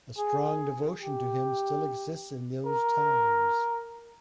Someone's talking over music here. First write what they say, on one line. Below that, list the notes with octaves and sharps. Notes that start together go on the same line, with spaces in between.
A strong devotion to him still exists in those towns.
G#4
G4
A#4